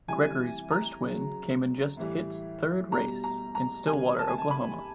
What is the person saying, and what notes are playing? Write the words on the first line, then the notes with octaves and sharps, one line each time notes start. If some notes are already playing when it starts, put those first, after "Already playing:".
Gregory's first win came in just his third race, in Stillwater, Oklahoma.
C3 E3 G3 G#5
A#5
C#3 F#3
A2 E3 G3
B2 G3 A#5
A#5
A#5
C3 D#3 G3 G#5
A5
G#5
A5
B5